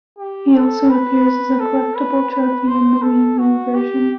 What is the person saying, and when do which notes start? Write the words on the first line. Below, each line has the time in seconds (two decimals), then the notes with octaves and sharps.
He also appears as a collectable trophy in the Wii U version.
0.18 G4
0.54 A4
0.90 B4
1.60 A4
1.95 B4
2.31 B4
2.68 C5
3.02 A4
3.38 F#4
3.74 G4